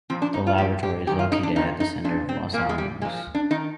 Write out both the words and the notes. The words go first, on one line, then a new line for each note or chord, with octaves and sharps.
The laboratory is located at the center of Los Alamos.
A#2 F3 C4
D4
D#4
F4
A#2 F3 G4
G4
G#2 D#3 G4
F4
D#4
D4
F2 D3 F3 D#4
D#4
A#2 F3 D4
C4
A#2 F3 A#3
G#3
G3
A#2 F3 G#3
D4
D#3 D#4